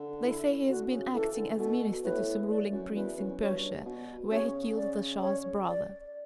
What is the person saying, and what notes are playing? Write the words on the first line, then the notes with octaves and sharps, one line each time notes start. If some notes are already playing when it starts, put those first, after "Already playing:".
They say he has been acting as minister to some ruling prince in Persia, where he killed the Shah's brother.
Already playing: D3
E4
D3 F#4
B2
C#3
E3 A4
D3
B2 A4
A2 B4
D5
F#2
E2 B4
F#2
G2 C#5
B2
C#3 C#5
D5
C#5
D5